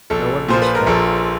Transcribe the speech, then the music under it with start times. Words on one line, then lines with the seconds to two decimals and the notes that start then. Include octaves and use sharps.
No one was there.
0.10 A#1 A4
0.49 A#2 F3 C5
0.62 B4
0.75 A#4
0.87 A#1 A4